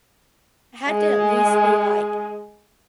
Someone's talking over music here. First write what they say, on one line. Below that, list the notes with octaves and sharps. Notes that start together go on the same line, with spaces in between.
had to at least be, like,
G#3 G#4